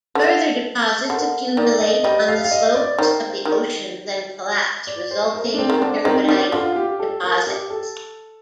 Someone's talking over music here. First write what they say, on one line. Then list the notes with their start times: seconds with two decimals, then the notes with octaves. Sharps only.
Further deposits accumulate on the slopes of the oceans and collapse resulting Turbidite deposits.
0.15 D3 A4
1.10 D3 A#4
1.57 D#3 D5
1.80 D#5
2.03 G3 D#5
2.28 F5
2.44 F5
2.51 D#5
2.75 D5
2.98 D#3 C5
3.45 D#3
4.87 D5
5.11 C5
5.34 A#4
5.54 D4
5.58 C4
5.70 D#3
5.81 D3 D4
6.05 D#3 C4
6.23 D#4
6.29 D#3 D4
6.52 D3 F4
6.75 G4
6.99 A4
7.23 A#4
7.47 G4
7.70 A4